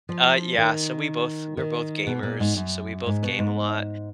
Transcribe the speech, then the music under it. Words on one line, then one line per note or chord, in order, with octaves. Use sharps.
Uh, yeah, so, we both we're both gamers, so, we both game a lot.
F3
D#3
D#3
B2
A#2
G#2
F#2
G#2
B2
G#2